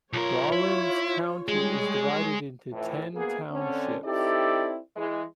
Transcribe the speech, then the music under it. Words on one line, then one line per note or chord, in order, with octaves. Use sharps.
Rawlins County is divided into ten townships.
B1 F4 A#4 C#5
E4
G3 G#3 G#4 C#5
F2 A2 E3
D2 A#3 B3 G#4
D3 C4 C#4
C4 D#4 E4 G4 A4 D5
E3 G#3